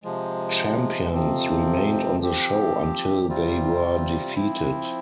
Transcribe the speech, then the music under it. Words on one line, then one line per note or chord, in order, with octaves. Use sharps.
Champions remained on the show until they were defeated.
C3 F3 G#3
F2 C3 F3 C4
F3 C4 G4
C3 G3 C4 F4
F3 C4 E4